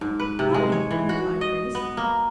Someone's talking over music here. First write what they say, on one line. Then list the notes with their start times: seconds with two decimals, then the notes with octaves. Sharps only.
"Fine," replied Grace.
0.01 G#2
0.20 B4
0.39 C3
0.54 G#3
0.72 C#5
0.91 E3
1.09 F#4
1.41 D#5
1.75 B3
1.97 A#3